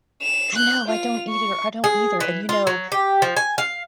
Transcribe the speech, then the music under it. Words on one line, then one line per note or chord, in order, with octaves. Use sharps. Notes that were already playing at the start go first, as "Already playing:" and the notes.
I know, I don't either, I don't either and, you know,
E7 F7
F#6 G6
F4 F7
C#6
G#4
E3
F4
F#3
G4
F3
G#5
F5